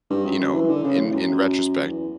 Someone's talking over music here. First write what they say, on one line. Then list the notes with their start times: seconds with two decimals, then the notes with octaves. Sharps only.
you know, in in retrospect,
0.10 G2
0.25 F#2
0.39 F#2
0.54 E3
0.69 D3
0.84 C#3
0.98 A2
1.14 F#2
1.87 E2